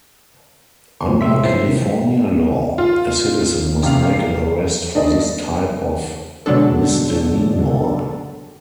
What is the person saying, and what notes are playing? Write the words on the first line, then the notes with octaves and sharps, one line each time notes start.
Under California law, a citizen must make an arrest for this type of misdemeanor.
E2 G2 A#2 C#3 F3 F#3
C3 G#3 B3 E5 C6 B6
A2 F3 D#4 C5 B6 C7
C3 D#3
F4
C3 C#4 F5 F7
C7
D4 D#5
B2 D3 F#3 G#3 D4 A4